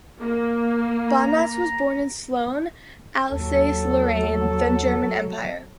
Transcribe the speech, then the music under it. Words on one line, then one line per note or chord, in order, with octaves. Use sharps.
Bonatz was born in Solgne, Alsace-Lorraine, then German Empire.
A#3
A#5
D#2 F#3 A4